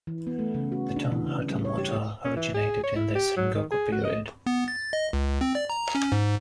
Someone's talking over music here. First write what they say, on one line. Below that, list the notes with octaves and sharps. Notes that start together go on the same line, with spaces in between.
The term "hatamoto" originated in the Sengoku period.
E3
B3
A3
C#3
F#4
D4
E3
C#3
G3
C#5
G4
C#4
E3
G#4
C#5
E4
G4
F#3
D#3
G#4
F#4
D#5
B3
A6
D#5
C#2
C4
D5
A#5
C#4
G#2